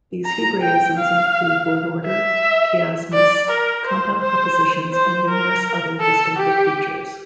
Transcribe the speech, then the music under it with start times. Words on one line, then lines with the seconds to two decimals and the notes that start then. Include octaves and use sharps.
These hebraisms include word order, chiasmus, compound prepositions, and numerous other distinctive features.
0.25 A#5
0.62 G5
0.98 F5
2.06 E5
3.13 D5
3.49 A#4
3.85 C5
4.21 C5
4.93 C5
5.28 A#4
6.01 A4
6.37 G4